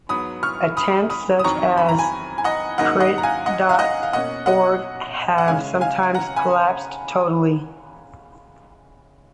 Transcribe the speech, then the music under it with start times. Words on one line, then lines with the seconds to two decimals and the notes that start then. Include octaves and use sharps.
Attempts such as crit dot org have sometimes collapsed totally.
0.09 G#2 F#3 B3 B5 D#6
0.43 C#6 F6
0.77 B5 D#6
1.10 B5 D#6
1.39 D#6
1.44 F2 D#3 F#3 A#5 C#6
1.78 B5
1.89 A#5
1.99 G#5 B5
2.38 G#5
2.44 D#5 F#5
2.78 G#2 D#3 F#3 A#3 C#4 D#5 F#5
3.00 D#5 F#5
3.18 A#5
3.23 F5 G#5
3.46 D#5 F#5
3.69 F5
3.79 D#5 F#5
4.03 F5
4.13 B2 A#3 C#4 D#5 F#5
4.46 D#5 F#5
5.38 F#5
5.48 C#3 G#3 C#4 F5 G#5
5.81 F5 G#5
6.15 F#5 A#5
6.36 G#5 B5